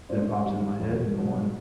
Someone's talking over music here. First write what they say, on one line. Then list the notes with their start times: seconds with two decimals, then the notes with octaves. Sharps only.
that pops into my head in the morning.
0.09 G#2 C5 D5
0.45 D#3 G3
0.80 E2
1.15 B2 F#3